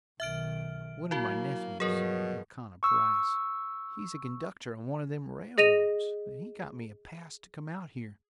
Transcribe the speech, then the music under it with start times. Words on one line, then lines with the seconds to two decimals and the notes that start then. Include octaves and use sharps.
One of my nephews, Elkanah Price, he's a conductor on one of them railroads and he got me a pass to come out here.
0.20 B1 D#3 E5 F6 D7
1.11 F#3 A#3 E4 F#4
1.80 G2 B2 F3 F#3 G#4 A#4
2.83 C#6 E6
5.58 G#4 D#5 A#6 D#7 F7